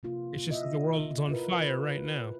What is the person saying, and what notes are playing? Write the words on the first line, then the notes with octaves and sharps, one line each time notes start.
It's just that the world's on fire right now.
C3 A#3 F4
E4 D#5 E5
E4 F4 A#4 B4
B4